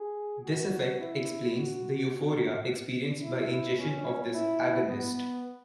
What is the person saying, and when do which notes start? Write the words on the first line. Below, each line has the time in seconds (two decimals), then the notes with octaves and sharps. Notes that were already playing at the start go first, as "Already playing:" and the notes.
This effect explains the euphoria experienced by ingestion of this "agonist".
Already playing: G#4
0.44 F#4
0.99 E4
1.56 F#4
2.11 F#4
3.22 E4
3.78 C#4
4.33 E4
4.88 B3